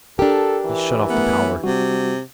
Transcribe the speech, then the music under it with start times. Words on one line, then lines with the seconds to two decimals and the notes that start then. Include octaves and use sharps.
He shut off the power.
0.19 D4 G4 A4 A#4
0.66 E3
1.10 A3 B3 A#4
1.64 C3 G3 F#4